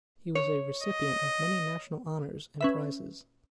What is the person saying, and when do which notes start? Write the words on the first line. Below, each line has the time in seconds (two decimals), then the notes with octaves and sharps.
He was a recipient of many national honours and prizes.
0.35 C#5
0.83 D#5
2.61 C#4 B4 E5